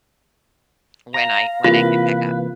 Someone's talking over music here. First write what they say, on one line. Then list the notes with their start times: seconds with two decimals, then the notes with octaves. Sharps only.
when I when I get back up.
1.14 F5 A#5
1.64 C3 E3 A#3 F4 B4